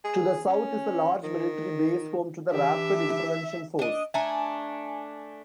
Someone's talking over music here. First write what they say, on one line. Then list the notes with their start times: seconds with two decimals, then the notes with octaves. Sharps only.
To the South is a large military base home to the rapid intervention force.
0.05 G#4
0.47 C#4
1.23 D#3
2.52 E3 D4 G4 E5
3.79 D4 D#5
4.14 A3 D4 E5 G#5 A#5